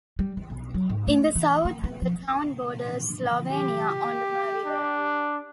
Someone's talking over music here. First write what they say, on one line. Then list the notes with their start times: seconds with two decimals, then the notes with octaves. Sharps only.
In the south the town borders Slovenia on the Mur River.
0.19 G3
0.37 E2
0.50 B1
0.74 F#3
0.90 G#2
1.07 A3
1.36 E3
1.65 A#3
1.84 B3
2.02 F3
3.53 G4
4.66 D4